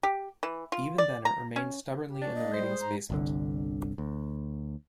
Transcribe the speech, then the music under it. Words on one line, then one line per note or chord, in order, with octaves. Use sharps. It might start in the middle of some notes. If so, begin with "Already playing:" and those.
Even then, it remained stubbornly in the ratings basement.
G4
E3
F4
D5
A#5
C#4
G4
C#4 D4
A#3 D#5
G3 C5
G#3
G#2 A#5
G1 C2 D3
D2